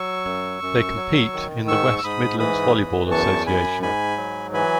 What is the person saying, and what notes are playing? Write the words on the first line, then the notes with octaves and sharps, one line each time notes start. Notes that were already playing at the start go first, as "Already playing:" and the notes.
They compete in the West Midlands Volleyball Association.
Already playing: F#3 C#6 E6
F#2
F#2
F#3
D#3
G#2 C#6 E6
E6
G#2 B5 D#6
E3 B5 D#6
E2
F#2 A5 C#6
F#2 G#5 B5
G#2 G#5 B5
F#3
E3 G#5 B5